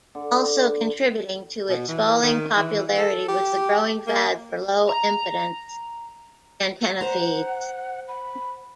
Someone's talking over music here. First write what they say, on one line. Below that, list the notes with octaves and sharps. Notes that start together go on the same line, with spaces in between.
Also contributing to its falling popularity was the growing fad for low-impedance antenna feeds.
D3
B2
E3
D#3
E3
A4
G4
A#3
A#5
C5 F#5 A#5
B5